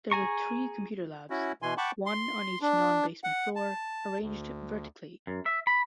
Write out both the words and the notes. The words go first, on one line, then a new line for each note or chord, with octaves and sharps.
There were three computer labs: one on each non-basement floor, arranged vertically.
G#4 G#5 A#5 C#6
C#4 E4 F#4
B2 E3 G#5 C6
F#5 G5 A5 B5 C#6 D6
C6
D4
F#5
A5
D2
F#2
E5
B5